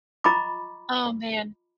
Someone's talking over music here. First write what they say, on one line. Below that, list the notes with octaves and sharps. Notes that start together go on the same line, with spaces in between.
Oh, man.
F4 D#5 A#5 B5 C#6 D6